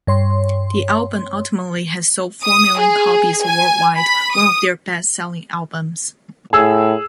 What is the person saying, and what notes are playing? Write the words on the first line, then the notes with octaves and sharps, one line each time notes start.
The album ultimately has sold four million copies worldwide, one of their best-selling albums.
G2 C#5 C6
D#6
G#4
G#5
B5
D#6
A2 G#4 E6